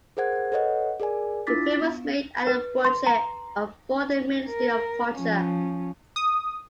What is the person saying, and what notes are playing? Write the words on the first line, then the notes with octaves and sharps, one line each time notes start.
The film was made at the budget of for the Ministry of Culture.
G#4 A#4 C5 F#5 G#6
A4 B4 C#5 D#5 F#5
G#4 A#4 D5 G#5
D4 E4 F4 D6 A6 B6
B3
B4
C6
A#5
A#4
F3 C#4
D#6